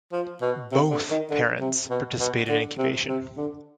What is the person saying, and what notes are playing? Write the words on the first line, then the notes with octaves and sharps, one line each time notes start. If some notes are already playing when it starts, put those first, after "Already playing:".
Both parents participate in incubation.
F3
B2
C3
D3
D#3
D3
C3
B2
B2
D3
C3
C3
D3